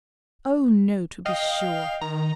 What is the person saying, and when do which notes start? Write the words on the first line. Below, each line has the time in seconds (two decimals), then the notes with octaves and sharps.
Oh, no! to be sure.
1.26 D#5 F5 G5
2.01 D#3 A#5